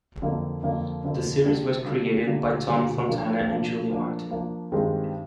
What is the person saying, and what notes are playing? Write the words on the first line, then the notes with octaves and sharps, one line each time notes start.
The series was created by Tom Fontana and Julie Martin.
F2 D3 F3 A#3
F2 D3 F3 A#3
F2 D3 F3 A#3
D3 G3 A#3 D4
D3 G3 A#3 D4
D3 G3 A#3 D4
D3 G3 A#3 D4
F3 A#3 D4
F3 A#3 D4
F3 A#3 D4
F3 A#3 D4
G2 D#3 G#3 C4